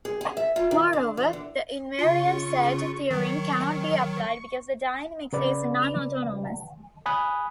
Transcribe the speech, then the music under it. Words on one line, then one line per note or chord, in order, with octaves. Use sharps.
Moreover, the invariant set theorem cannot be applied, because the dynamics is non-autonomous.
G#4
G#4
E5
F4
D#3
D3
E3
D3
C#3 F4 C#6
D#3 F#3 C#6
C#3 B4 D5
G#5 B5 D#6 F#6